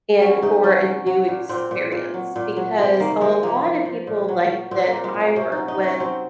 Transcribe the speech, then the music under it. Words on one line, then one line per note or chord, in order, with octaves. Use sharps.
and for a new experience, because a lot of people, like, that I work with,
F#3 C#4
C3 D#4
F#3 C#4
F#3
F#3
A#2
A#2 C4
A#2
A#2
F#3
A#2
F#3
C3 G#3
D#3 A#3
C3 G#3
F3 A#3
F3
F3
A#2
F#3
F#3
A#2 C4
A#3
A#2
G#3
A#2
A#3
C3 C#4
D#4
F#3
D#4
C3 C#4
F#3 C4